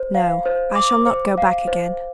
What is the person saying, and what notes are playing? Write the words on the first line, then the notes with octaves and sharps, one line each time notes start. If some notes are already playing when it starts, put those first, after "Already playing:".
"No; I shall not go back again."
Already playing: C5
F5
C5
D6
C5
F5
C5